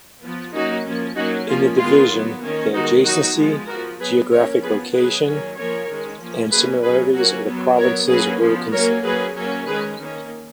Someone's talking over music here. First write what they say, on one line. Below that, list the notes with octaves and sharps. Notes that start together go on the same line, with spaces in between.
In the division, the adjacency, geographical location and similarities of the provinces were considered.
F3 B3
F#3 A#3 C#4 D#4 F#4
F3 A#3 C#4
F#3 A#3 C#4 D#4 F#4
F3 A#3 C#4 F4
D#3 G#3 B3 F4
F#3 B3
D#3 A#3 C#4
D#3 G#3 B3 D#4 F#4
F#3 B3 D#4 F#4
F3 G#3 B3
F3 B3 F#4 A#4
F#3 B3 G#4 B4
F#3 A#3 C#4 A#4 C#5
F3 B3 G#4 B4
F#3 B3 G#4 B4
D#3 F#3 A#3 C#4
F3 A#3 C#4 A#4 C#5
D#3 G#3 C#4
F3 A#3 C#4
F#3 A#3 C#4 G#4 B4
F#3 C#4 G#4 B4
F#3 A#3 C#4 F#4 A#4
F#3 B3
F#3 B3 A#4 C#5
F#3 A#3 C#4 G#4 B4
F3 B3
F#3 A#3 C#4 A#4 C#5
F#3 A#3 C#4 G#4 B4
F#3 A#3 C#4
D#3 G#3 C#4 G#4 B4
D#3 A#3 C#4